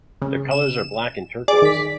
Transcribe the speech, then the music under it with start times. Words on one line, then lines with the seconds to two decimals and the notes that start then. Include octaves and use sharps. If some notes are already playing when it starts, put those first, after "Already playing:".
Their colors are Black and Turquoise.
0.22 C#3
0.51 E7
1.48 G#4 D5 D6
1.62 D#3 B6